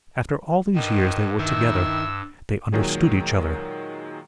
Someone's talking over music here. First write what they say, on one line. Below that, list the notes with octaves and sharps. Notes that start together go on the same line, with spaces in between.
After all these years they were together; they understood each other.
G2 D#3
D#3 E4 E6
A#2 D#3 F#3 G#3 G#4